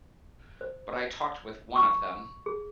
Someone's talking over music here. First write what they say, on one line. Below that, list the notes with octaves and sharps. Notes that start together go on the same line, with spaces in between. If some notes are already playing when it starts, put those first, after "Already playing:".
But I talked with one of them.
C5
C#6
G#4